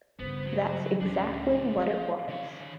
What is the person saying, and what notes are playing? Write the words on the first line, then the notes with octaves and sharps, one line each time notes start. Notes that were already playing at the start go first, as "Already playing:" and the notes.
That's exactly what it was.
G2 C#3 B3 C5
F#3
C#2 A2 C#4 D4
E3 F3 F5
D3 C#5